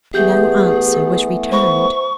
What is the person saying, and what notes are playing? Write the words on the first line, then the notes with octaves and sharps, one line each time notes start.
No answer was returned.
E3 A3 B3 G4 G#4 G6
C5 B5 C#6